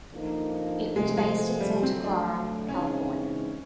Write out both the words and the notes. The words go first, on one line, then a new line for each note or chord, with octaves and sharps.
It was based in Santa Clara, California.
D3 F3 A#3 D#4
C3 F3 G#3 A3
G#3
G3
D3 F#3 A3 C4
D4
C#3 E3 G#3 C4 C#4 D#4